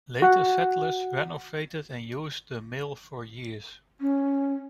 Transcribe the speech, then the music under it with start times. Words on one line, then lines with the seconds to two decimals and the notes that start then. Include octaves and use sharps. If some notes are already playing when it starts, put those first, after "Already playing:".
Later settlers renovated and used the mill for years.
0.22 F#4 F#5
4.01 C#4